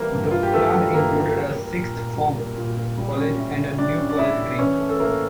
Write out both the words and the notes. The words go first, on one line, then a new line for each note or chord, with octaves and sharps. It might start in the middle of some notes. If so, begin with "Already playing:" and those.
The plan included a sixth form college and a new college green.
Already playing: E3 G3 A#3 A#4
G2
A#3 F4
G4
E3 A3 A4
G3
G2 A#3 A#4
A#3
G3
A#3
A#2
A#2
G3
A#3
A#2
A#2
G3
C#4
A2
A2
G3 D4 D5
C#4
D5
A2 E4 E5
A2
E3 C#4 C#5
A3
A4
A2 A#3 A#4